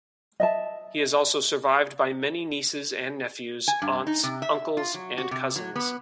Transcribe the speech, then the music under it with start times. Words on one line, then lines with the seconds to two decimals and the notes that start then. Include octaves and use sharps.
He is also survived by many nieces and nephews, aunts, uncles and cousins.
0.40 D#5 E5 A5
3.68 G#5
3.82 G2
4.07 D#4
4.23 C3
4.42 E5
4.77 F4
4.94 F#3
5.18 F#4
5.31 C3
5.56 F#3
5.76 B3